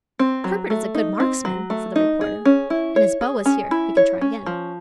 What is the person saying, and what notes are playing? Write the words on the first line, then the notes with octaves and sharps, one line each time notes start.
"Herbert is a good marksman," said the reporter, "and his bow is here. He can try again."
C4
F#3
A3
D#4
C4
F#3
A3
D#4
G#4
C#4
E4
C#5
G#4
C#4
E4
C#5
C#4
F3